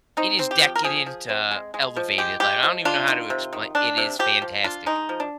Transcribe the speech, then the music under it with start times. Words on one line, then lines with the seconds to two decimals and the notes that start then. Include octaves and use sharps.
It is decadent, t uh, elevated, like, I don't even know how to explain It is fantastic.
0.17 C4 D#4
0.39 C4
0.51 G4
0.61 F3
0.76 A#4
0.84 F3 G#4
1.06 F3
1.29 C4
1.51 G#3
1.74 G#3
1.96 F3
2.18 G#3 G4
2.40 G#3 G4
2.63 F3
2.85 D4 F4
3.08 D#3
3.30 C3
3.53 D#3
3.75 D4
3.97 C3
4.19 F3 G4
4.42 F3
4.64 D4 F4
4.86 G#3 D#4
5.09 F3
5.20 D4